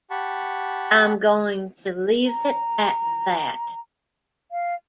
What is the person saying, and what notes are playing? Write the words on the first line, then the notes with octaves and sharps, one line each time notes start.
I'm going to leave it at that.
G4 F#5 A5 B5 C#6
A#5
F5